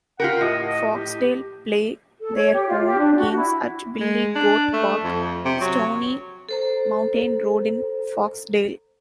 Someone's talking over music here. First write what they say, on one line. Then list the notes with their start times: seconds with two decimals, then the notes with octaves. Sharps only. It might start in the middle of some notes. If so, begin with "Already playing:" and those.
Foxdale play their home games at Billy Goat Park, Stoney Mountain Road in Foxdale.
0.20 F4 G4 A#4 F#5
0.41 A2 D#5
0.63 D#5
0.94 G4
2.21 A4
2.35 C#5
2.53 G4
2.67 F4
2.86 G4
2.99 D4
3.16 F#4
3.35 E4
4.01 G#3
4.35 D4
4.73 A3
5.04 F2
5.45 C3
5.61 F#3
6.49 A4 C5 A#5